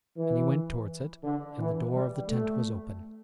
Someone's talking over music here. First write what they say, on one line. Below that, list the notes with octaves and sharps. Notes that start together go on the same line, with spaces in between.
And he went towards it; and the door of the tent was open.
E3
D3
E3
G3
A3